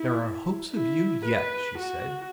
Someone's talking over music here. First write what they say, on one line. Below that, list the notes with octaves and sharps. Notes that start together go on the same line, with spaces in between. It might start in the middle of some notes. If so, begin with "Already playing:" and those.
"There are hopes of you yet," she said.
Already playing: E4
E4
B4
F#4